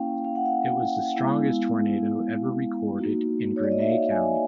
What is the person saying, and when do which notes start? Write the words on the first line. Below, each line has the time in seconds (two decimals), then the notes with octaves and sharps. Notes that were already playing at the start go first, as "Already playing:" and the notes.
It was the strongest tornado ever recorded in Greene County.
Already playing: A#3 C#4 E4 F5 G5
0.25 F5
0.35 F#5
0.45 F5
1.16 G#3 B3 E4
2.98 A#3 D#4 F#4
3.56 C#5
3.63 D5
3.72 D#5
3.80 E5
3.89 F5
4.11 G#5